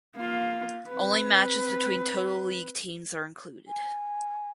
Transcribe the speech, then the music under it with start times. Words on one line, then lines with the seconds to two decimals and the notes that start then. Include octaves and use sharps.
Only matches between Total League teams are included.
0.16 A#3 F4
0.88 C4 B4
3.68 G#5